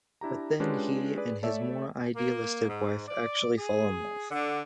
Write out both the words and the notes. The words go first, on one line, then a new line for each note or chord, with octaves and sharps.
But then he and his more idealistic wife actually fall in love.
D4 E4 G4 A#5
G#3 C#4 D4 F4 G4 B4
G#4 B4 D5
A3 A4 C#5 D5 E5
A#3
G#2
D5
G#4
D3